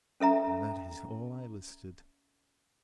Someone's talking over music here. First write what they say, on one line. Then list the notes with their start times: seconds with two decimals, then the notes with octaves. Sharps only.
And that is all I elicited.
0.20 C#4 A4 E5 A#5